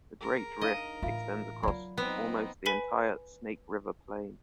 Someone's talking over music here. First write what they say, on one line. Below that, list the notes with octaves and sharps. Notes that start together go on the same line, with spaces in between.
The Great Rift extends across almost the entire Snake River Plain.
G#4 A#4 A#5
D4 D#4 D#5 F5
A2 E3 F4 E5 F5
F#3 F4 D5 F#5 B5
B3 C4 D#4
B4 G#5 B5 B6 F#7 G7